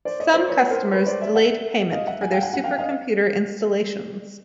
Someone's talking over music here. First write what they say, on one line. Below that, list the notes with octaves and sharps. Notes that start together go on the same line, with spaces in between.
Some customers delayed payment for their supercomputer installations.
C5 D5
C#5 D#5
C5 D5
B4 C#5
A#4 C5
B4 C#5
C5 D5
D5 E5
E5 F#5
D#5 F5
E5 F#5
F#5 G#5
F5 G5
F#5 G#5
F#5 G#5
F5 G5
D#5 F5